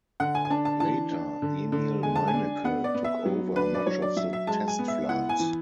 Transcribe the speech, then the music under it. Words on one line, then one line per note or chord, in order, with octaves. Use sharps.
Later, Emil Meinecke took over much of the test flights.
D3 F#5
G#5
G#5
D4 A5
A5
E3 A5
D4
D3
D3
G#3 G#5
A5
G#5
D4
B3 F#5
D5
B3
E5
F#3
D4 B4
D5
F#3 C#5
D5
F#3 E5
E5
G#3 A5
G#5
B3
E5
E4 F#5
G#5
E3